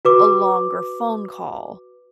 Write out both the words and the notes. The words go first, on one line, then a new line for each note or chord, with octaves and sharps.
a longer phone call
F#4 B4 D6